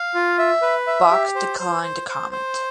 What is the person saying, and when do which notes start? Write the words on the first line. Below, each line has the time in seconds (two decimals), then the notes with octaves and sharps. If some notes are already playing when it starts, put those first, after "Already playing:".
Bach declined to comment.
Already playing: F5
0.14 F4
0.39 E5
0.62 B4
0.87 E5
1.11 G4
1.35 C5
1.59 C5
1.83 C5
2.08 C5
2.31 C5